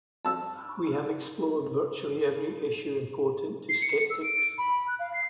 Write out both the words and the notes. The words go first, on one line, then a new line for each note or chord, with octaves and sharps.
We have explored virtually every issue important to skeptics.
A5 E6
C7
C#7
E6
D7
B5
F#6
F5
C7